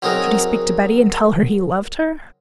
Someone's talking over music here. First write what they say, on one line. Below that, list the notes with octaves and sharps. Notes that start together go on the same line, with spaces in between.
Should he speak to Betty and tell her he loved her?
F#3 C4 D#4 G#4 A#4